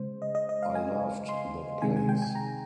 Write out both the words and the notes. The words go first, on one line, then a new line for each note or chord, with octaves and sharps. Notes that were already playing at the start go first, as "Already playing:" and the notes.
I loved that place.
Already playing: C#3 G#3 C5
D#5
D#5
D#5
F5
G#5
C6
C3 D#3 G#3 G#5
G#5
G5
G#5
A#5